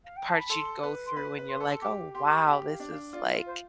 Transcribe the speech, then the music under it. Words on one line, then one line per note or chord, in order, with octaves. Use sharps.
parts you'd go through, and you're like, "Oh, wow, this is, like,
F5
G5
A5
B5
A4 C6
B4
C6
B4 B5
B4
C6
A4
G4 D6
G4 C6
D6
C6
G4 G5
F5
D4
F5
F4 D5
E5
F4
C5